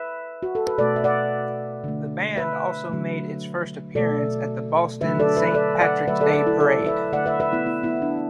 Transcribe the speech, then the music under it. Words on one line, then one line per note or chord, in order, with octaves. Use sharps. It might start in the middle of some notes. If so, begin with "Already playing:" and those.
The band also made its first appearance at the Boston Saint Patrick's Day Parade.
Already playing: B4 E5
F#4
A4
B4
B2 A3 A4 D5
E5
D5 F#5
D3 A3
B4 E5
D3 F#3 A3
B2 A3 A4 D5
D3 F#3 A3 B4 E5
A4 D5
B4 E5
A4 D5
D5 F#5
D3 F#3 A3 B4 E5
A4 D5
A4 D5
E4 A4
A4 D5
B4 E5
D3 A3 D5 F#5
B4 E5
B4 E5
B3 E4
B3 E4
B3 E4
D4